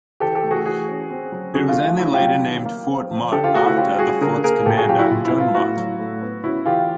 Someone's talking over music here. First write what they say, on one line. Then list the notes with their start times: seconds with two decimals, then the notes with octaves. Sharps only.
It was only later named Fort Mott, after, the fort's commander, John Mott.
0.20 E3 G4 A4
0.35 G4 A4
0.43 A3
0.51 F#4 G#4
0.66 E3 F#4 G#4
0.88 C#4
1.10 C4
1.32 F#3
1.54 D3 F#4 G#4
1.69 F4
1.77 A3
1.84 F4
1.99 C#4 E4 F#4
2.14 F4 G4
2.22 F#3
2.44 D#3
2.65 A#3
2.88 C4
3.11 F3
3.32 D3 G4 A4
3.44 F4 G4
3.54 A3 F#4 G#4
3.66 E4 F#4
3.76 C#4 F4 G4
3.99 G3 F#4 G#4
4.21 D3 G#4 A#4
4.44 A#3 G#4 A#4
4.66 A#2 G4 A4
4.77 F#4 G#4
4.88 F#3 F4 G4
4.99 E4 F#4
5.11 A#2 F4
5.25 E4
5.33 B3
5.40 F4
5.55 A2 E4 F#4
5.77 F#3
5.99 A2
6.21 B3
6.44 C#4 E4 F#4
6.66 E3 F4 G4